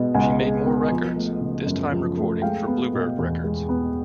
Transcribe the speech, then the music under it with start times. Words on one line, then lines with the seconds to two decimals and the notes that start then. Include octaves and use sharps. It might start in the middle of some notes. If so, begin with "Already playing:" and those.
She made more records, this time recording for Bluebird Records.
Already playing: B2 G#3 B3
0.14 C#2 F#5 G#5
0.40 G#3
0.65 B3
0.90 F3
1.15 A3
1.41 C#3
1.66 F#2
1.92 F3
2.17 A3
2.42 G#3 F5 G5
2.67 B3
2.94 B2
3.19 E2
3.44 G#3
3.69 B3